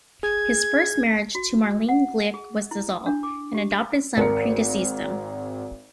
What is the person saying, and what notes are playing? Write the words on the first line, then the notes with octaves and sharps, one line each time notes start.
His first marriage, to Marlene Glick, was dissolved, and an adopted son predeceased him.
G#4 G#6
F#4
F#5
G#4
E4
D4
D6
G4
G#1 A#4 C#7